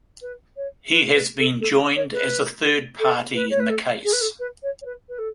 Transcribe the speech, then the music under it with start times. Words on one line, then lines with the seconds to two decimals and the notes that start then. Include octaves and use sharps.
He has been joined as a third party in the case.
0.21 B4
0.56 C#5
0.91 B4
1.14 B4
1.38 A4
1.60 A4
1.95 C#5
2.13 B4
2.99 A4
3.34 B4
3.50 C#5
3.59 B4
3.69 A4
4.04 G#4
4.12 B4
4.21 A4
4.39 B4
4.62 C#5
4.81 C#5
4.85 B4
5.08 B4
5.18 A4